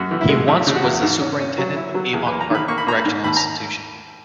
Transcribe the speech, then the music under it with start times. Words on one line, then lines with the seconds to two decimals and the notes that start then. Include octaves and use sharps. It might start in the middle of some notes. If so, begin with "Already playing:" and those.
He once was the Superintendent of Avon Park Correctional Institution.
Already playing: F#2 F#4
0.11 E3
0.21 E4
0.29 G#3
0.47 C#3 E4
0.67 C#3
0.76 F#4
0.84 E2
1.03 G#2
1.21 C#4
1.40 C#4
1.58 F#3
1.76 E4
1.94 F#3
2.13 E2 G#4
2.27 A#3 B4
2.41 A#5
2.50 D#3 B5
2.68 A#3 C#6
2.78 B5
2.86 A#3 A#5
2.98 B5
3.05 G#2
3.24 D#2 B5
3.37 A#5